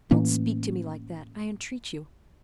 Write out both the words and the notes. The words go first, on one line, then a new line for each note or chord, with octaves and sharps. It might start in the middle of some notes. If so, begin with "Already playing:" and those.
"Don't speak to me like that, I entreat you."
A2 E3 A#3 C#4